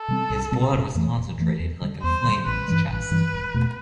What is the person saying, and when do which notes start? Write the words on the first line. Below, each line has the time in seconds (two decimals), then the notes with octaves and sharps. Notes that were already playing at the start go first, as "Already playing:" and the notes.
His blood was concentrated like a flame in his chest.
Already playing: A4
0.08 C3 G3 C4
0.30 C2
0.52 C3 G3 C4
0.73 F1
0.95 F2 E3 A3
1.17 F1
1.38 F2 E3 A3
1.60 E2
1.81 D3 G3
2.02 E2 C5
2.24 D3 G3
2.46 A1 B4
2.68 G2 E3 G3
2.89 A1 B4
3.11 G2 E3 G3
3.33 E1
3.54 E2 B2 A3